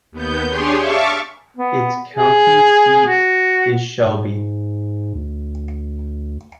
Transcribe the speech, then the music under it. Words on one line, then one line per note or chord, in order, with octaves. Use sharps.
Its county seat is Shelby.
D#2 B3 G6
D4 G4 G#4 C#5 C6
E5 F5 A5 C#6 D6
B3
G#4
F#4
G#2
D2